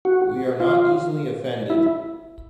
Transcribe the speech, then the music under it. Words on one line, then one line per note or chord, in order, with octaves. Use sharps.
We are not easily offended.
F#4
F4
E4